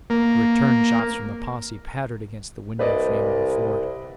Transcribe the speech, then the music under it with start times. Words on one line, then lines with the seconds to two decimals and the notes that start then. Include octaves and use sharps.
The return shots from the posse pattered against the window frame of the fort.
0.10 A#3
2.79 C2 B4 D5 D#5